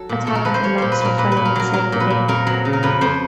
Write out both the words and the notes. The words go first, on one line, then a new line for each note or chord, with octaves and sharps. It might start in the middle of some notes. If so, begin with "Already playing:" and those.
A talented lass or fellow will save the day.
Already playing: F#3 A4
A#2
A#2 A4
A#4
F3 B4
C5
F3 C#5
A#2 C5
B4
A#2 A#4
A#2 B4
B4
A#2
A#4
F#3 A#4
F#3 A#4
A#2
B4
A#2
F2 A#4
F#3
C#3
A#4
F2 B4
F2 C5